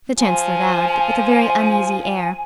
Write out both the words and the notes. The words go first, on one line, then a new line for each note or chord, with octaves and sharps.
The Chancellor bowed, but with a very uneasy air.
F3 G#5